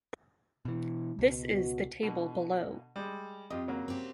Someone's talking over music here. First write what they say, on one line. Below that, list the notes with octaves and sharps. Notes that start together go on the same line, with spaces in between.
This is the table below.
B2 E3
C#2 B2
F#4
B2 D3
G3 G#3
F2 F4 G4 D#5
C#3 F#3 A#3
C4 G4